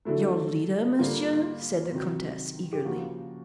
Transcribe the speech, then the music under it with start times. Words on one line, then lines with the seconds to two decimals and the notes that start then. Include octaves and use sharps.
"Your leader, Monsieur?" said the Comtesse, eagerly.
0.05 D3 F#3 A3 E4
0.99 D3 G3 A#3 F4
1.91 C3 D#3 F#3
2.73 G4
2.85 C#3 F3 A#3 F#4